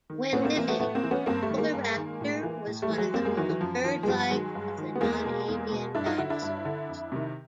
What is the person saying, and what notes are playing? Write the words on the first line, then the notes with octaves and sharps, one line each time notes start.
When living, "Oviraptor" was one of the most bird-like of the non-avian dinosaurs.
D#3
A2 B3 C#4
A#3 C4
E3 A#3 C4
A3 B3
A2 A3 B3
A#3 C4
E3
B3 C#4
G2 A#3 C4
G3 A3
D#3
G#3 A#3
G2
D#3
A2
E3
A2
G3 A3
E3
F#3 G#3
F#2 A#3 C4
G#3 A#3
D#3 E3 F#3
E3 F#3
F#2 F3
D#3 F3
G#3
G2 F3 G3
D#3 F#3 G#3
G2
D#3
B3
E2 G#3 A#3
B2
E2
B2
G2 D4 E4
D#4 F4
D3 E4 F#4
D4 E4
G2
D3
F2
C3 D#3